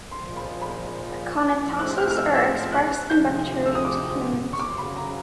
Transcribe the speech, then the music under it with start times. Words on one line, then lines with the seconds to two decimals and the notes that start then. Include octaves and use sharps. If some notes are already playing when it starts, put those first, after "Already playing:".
Aconitases are expressed in bacteria to humans.
0.11 A#2 F3 G#3 C6
0.36 B5
0.61 B5
1.61 A2 F3 G#3 C4 E4
1.79 F#6
1.98 F6
2.11 F6
2.17 E6
2.35 E6
2.72 F#6
3.10 D2 C3 F3 G#3 G6
3.66 E6
3.75 D#6
3.85 D6
4.53 C#6
4.59 F#2 C#3 F#3 D6
4.70 C6
4.78 B5
4.97 A#5